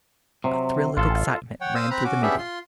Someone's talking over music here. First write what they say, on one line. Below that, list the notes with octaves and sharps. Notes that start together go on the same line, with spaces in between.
A thrill of excitement ran through the meeting.
C3 F#3
A1 F4 A4
C#5 F#5 G5
C5 F5 D#6 E6
C4 A#5 B5 F#6
C#4 F#4 D6
B3 C#4 D4 G4 G#4 E5
F4 C6